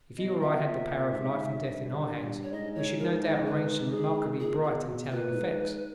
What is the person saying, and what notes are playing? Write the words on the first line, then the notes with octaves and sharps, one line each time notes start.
If you or I had the power of life and death in our hands, we should no doubt arrange some remarkably bright and telling effects.
B2 D#5
B2 E5
C#3
B2
A#2
G#2
G2
G2
C#5
G#2 D#5
C#5
A#4
D#5
B4
G4
G#4
A#2 G#4
A#2
B2 G#4
B2
A#2 B4
A#2
G#2